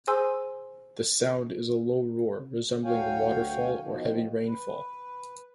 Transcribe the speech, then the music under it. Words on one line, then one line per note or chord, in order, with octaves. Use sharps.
The sound is a low roar resembling a waterfall or heavy rainfall.
G#4 C5 G#5 C6 E6
D2 F#3 C#5 F5 G5 G#5
B2 D#3 F3
B4